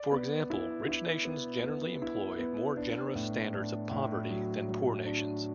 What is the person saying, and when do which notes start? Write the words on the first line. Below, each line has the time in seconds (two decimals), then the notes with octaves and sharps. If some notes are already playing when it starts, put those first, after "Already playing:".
For example, rich nations generally employ more generous standards of poverty than poor nations.
Already playing: D5
0.12 B3
0.50 E4
0.88 E4
1.25 B3
1.64 B3
2.02 E4
2.39 B3
2.77 D4
3.15 A2
3.54 D4
3.91 A2
4.30 F#3
4.68 F#3
5.06 D4